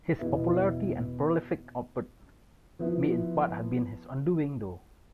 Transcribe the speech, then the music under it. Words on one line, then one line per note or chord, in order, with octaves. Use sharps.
His popularity and prolific output may in part have been his undoing, though.
E2 B2 B3 E4
F3 B3 E4